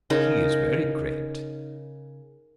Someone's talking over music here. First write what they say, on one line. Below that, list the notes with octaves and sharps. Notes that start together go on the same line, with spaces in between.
He is very great.
C#3 D#4 A#4